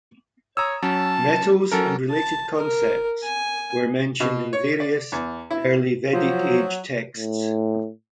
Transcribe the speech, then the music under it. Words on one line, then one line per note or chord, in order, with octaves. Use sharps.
Metals and related concepts were mentioned in various early Vedic age texts.
C#5 A#5 D#6 E6
F#3 C#4 A5
F#3 C#4 A4 A#4
A5
A#4
G#5
B2
C#5
D5
E2
E4
F3 F#3 F4
A2